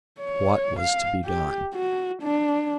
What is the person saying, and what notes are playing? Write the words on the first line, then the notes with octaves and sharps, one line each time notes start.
What was to be done?
C#5
F5
G4
F#4
D4